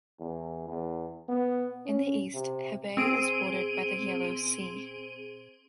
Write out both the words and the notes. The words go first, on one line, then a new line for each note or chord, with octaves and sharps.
In the east, Hebei is bordered by the Yellow Sea.
E2
E2
B3
C#4
C3
C4 G#4 D7 D#7